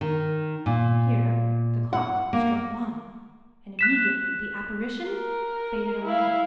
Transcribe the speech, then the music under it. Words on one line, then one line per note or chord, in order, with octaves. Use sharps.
Here the clock struck one, and immediately the apparition faded away.
D#3
A#2
F#5
A#3
F#6 B6 E7
A#4
E4 F5